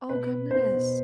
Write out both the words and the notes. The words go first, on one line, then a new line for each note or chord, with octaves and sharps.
Oh, goodness.
B2 B4
B2
B2 C5
B2